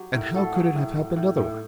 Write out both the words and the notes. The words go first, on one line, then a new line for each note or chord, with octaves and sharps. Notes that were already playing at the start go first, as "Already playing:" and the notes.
And how could it have happened otherwise?
Already playing: F#3 G4
A2 A#4
F#3 A4
F#3 G#4
A2
A2
A2
A2